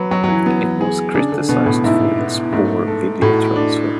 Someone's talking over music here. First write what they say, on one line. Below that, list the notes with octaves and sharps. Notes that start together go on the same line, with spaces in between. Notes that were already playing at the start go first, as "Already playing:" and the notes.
It was criticized for its poor video transfer.
Already playing: F#3 B4
F#3 F#4
F#3
E3
B3
G#4
C#3 D4
D3
B2 B3
A2
G#2 E4
B3
G#2 A3
A4
A2 F#4
D4